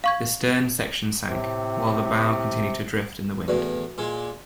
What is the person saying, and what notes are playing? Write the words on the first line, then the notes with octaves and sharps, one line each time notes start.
The stern section sank, while the bow continued to drift in the wind.
F5 C#6 G#6
A2 C3
E2 A2 F#4 B4 D5
A#2 G#3